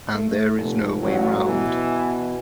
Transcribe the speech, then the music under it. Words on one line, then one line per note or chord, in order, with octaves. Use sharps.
And there is no way round.
A3
F1
A1 F#3
B2 E3